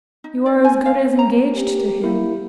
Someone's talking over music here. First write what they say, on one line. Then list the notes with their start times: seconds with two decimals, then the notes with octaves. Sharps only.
You are as good as engaged to him.
0.24 D#4
0.46 D5
0.65 G#5
0.86 F5
1.19 A#5
1.53 G4
2.02 A#3 E4 A#4